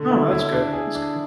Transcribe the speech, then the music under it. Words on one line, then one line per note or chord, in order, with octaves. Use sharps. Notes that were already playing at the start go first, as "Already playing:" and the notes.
Oh, that's good, that's good.
Already playing: B2 D3 A3
E4
E4
D4
G#4
D4